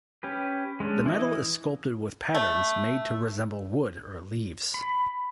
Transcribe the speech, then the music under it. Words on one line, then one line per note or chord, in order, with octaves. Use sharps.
The metal is sculpted with patterns made to resemble wood or leaves.
C#4 G4 B4
G#3 C#4 D4
E3 E4 D#5
A3
B5